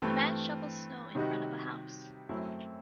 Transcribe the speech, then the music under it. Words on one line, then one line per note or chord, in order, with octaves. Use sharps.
A man shovels snow in front of a house.
G2 E3 A3 C4
C3 D#3 G3 D#4 F#4
F#2 F#3 A3 C4 E4